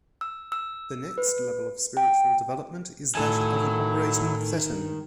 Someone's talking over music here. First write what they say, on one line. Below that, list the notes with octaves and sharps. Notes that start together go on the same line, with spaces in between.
The next level of spiritual development is that of an Operating Thetan.
E6
E6
B4
G5
A2 D#3 F#3 E4 A4 G#5